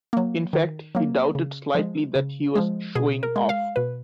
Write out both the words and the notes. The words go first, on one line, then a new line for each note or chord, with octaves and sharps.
In fact, he doubted slightly that he was showing off.
F#3 A#3
D#3
F#3 A#3
C#3
F3 G#3
C#3
F3 G#3
B2 G#4
A#4
G#3
F5
B2 B4